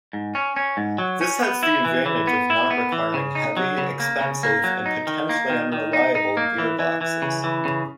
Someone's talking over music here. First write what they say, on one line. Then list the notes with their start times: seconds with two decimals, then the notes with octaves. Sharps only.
This has the advantage of not requiring heavy, expensive and potentially unreliable gearboxes.
0.13 G#2
0.35 C#4
0.56 C#4
0.77 G#2
0.98 F#3
1.21 C#4
1.42 B3
1.63 E4
1.85 E3
2.06 E3
2.27 B3
2.50 E4
2.71 B3
2.92 E3
3.14 C#3
3.35 D#4
3.57 F#3
3.78 C#3
4.00 A#3
4.21 C#3
4.43 A#3
4.64 F#3
4.86 D#4
5.07 D#3
5.29 A#3
5.50 D#3
5.72 D#3
5.93 D#4
6.15 D#4
6.37 A#3
6.58 E3
6.79 E3
7.01 E3
7.22 C#3
7.44 E3
7.65 C#3